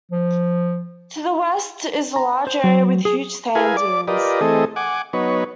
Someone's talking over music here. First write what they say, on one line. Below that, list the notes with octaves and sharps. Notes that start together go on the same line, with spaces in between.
To the west is a large area with huge sand dunes.
F3
A#5
C5
F#3
G#4
E4 G#4 A#4 B4 F5 G#5
D5 D6
F4 G4 A#4 B4 D5 D#5
E3 A3 C4 G#4 A4 D#5
F#5 G#5 D6
F#3 B3 D#4 B4 C#5